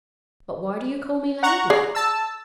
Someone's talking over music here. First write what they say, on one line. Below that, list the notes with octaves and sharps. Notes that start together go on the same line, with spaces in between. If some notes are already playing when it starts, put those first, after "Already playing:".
But why do you call me 'Lady'?
F#5 A#5 C#6
G#4 D5
A5 E6